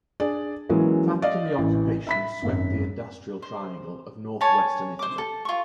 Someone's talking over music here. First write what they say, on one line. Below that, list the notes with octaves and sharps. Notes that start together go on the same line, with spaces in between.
Factory occupations swept the "industrial triangle" of north-western Italy.
D4 G#4 D5
E3 F#3 G#3 A#3 C#4
D5 D#5 F5
A1 E3
E5 B5 B6
G#1 F#2
C5
C#5 G#5 A5
C5 D6
A4
F4 C#6